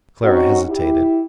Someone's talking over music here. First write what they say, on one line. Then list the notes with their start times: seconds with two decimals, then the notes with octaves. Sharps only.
Clara hesitated.
0.24 C4 C#4 D#4 F#4
0.69 E4 G4